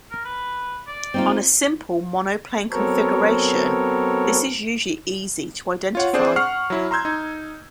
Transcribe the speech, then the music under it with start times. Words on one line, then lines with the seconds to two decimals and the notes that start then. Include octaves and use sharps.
On a simple monoplane configuration, this is usually easy to identify.
0.11 A#4
0.25 B4
0.87 D5
1.14 C4 D#4 F4
2.72 F#3 B3 C4 A4 A#4 C#5
5.95 F4 C#5 F#5
6.13 C4 D4 G#4 C5 D5
6.36 F#5 C#6 F6 C7
6.70 F#3 E4
6.91 A#5 C6 E6 G6 G#6
7.05 D#4